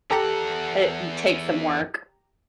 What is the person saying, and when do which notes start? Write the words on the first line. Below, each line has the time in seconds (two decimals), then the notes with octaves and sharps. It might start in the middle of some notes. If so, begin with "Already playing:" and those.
It takes some work.
0.11 E2 G4 A4 F#5 A#5